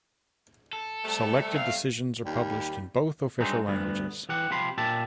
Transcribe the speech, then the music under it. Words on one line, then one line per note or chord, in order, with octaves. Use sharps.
Selected decisions are published in both official languages.
A4
C3 G3 A3
B1 F5
D#2 G3
G2 F#3 G#3 C4 D#4
D2 G2 B3
E3 G4 F#5
C3 F3 G4 B5 C6
A#2 G4 E5 A5